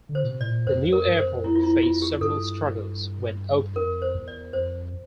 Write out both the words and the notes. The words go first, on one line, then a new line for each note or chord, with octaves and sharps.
The new airport faced several struggles when opened.
D3
C5
A#2
C3
A2 D5
A#2
F2 C5
F2
A#4
G2
C5
F2
F2 E4
F4
E4
F2 F4
G4
G2 A4
F2 A#4
C5
E2
D5
F2 C5